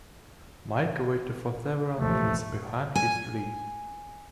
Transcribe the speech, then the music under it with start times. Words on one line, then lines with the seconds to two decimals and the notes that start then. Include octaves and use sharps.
Mike waited for several minutes behind his tree.
1.98 A1 D#2 F3 A3
2.95 G#5